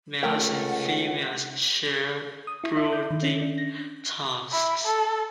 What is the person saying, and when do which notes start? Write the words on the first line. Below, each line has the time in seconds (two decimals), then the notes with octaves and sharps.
Males and females share brooding tasks.
0.23 C#2 A3 A#4 F#5 G5
2.47 D#6
2.64 E4
2.77 E5
2.93 G6
3.10 D#3
3.23 C#4
3.41 D4
3.58 A#6
4.52 E4
4.85 A4